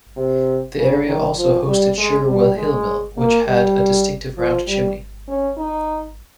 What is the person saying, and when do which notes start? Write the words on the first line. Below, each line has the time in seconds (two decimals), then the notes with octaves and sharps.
The area also hosted Sugarwell Hill Mill which had a distinctive round chimney.
0.16 C3
0.76 C#3
1.06 D#3
1.37 F3
1.67 G3
1.97 G#3
2.28 G3
2.57 G#3
3.17 A#3
3.47 G3
4.37 F3
4.67 G3
5.28 C#4
5.57 D#4